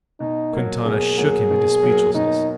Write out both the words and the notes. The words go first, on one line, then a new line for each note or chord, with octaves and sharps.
Quintana shook him into speechlessness.
B2 D#4
F#3 A#3
B2 G#4
F#3 A#3
B2
F#3 A#3
B2 D#4